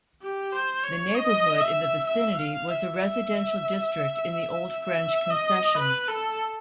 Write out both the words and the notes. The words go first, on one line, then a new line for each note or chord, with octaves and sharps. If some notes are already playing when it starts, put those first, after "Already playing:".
The neighbourhood in the vicinity was a residential district in the old French Concession.
G4
C5
C#5
D#5
E5
E5
F5
E5
E5
E5
D#5
B4
A4